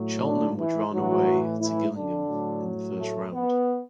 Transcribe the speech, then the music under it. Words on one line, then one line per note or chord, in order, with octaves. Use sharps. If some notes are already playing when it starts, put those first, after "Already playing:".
Cheltenham were drawn away to Gillingham in the first round.
Already playing: A2 F#3
D3 D4
E3 E4
A2 E3 F#3 F#4
E3 E4
D3 D4
A2 F#3
A3
B3